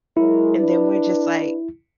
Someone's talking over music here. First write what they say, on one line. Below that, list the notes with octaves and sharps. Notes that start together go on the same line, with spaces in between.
and then we're just, like,
F#3 G#3 E4 A#4
D4 B4